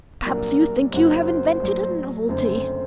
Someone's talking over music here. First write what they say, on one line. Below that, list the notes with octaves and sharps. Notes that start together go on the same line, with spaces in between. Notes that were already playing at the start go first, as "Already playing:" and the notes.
Perhaps you think you have invented a novelty?
C2 A#2 F#3 A#3 D4 A#4
F#1 F#2 F#3 A#3 F#4 C5
A#1 A2 F#3
F#1 F#2 D3 A3 C4 C5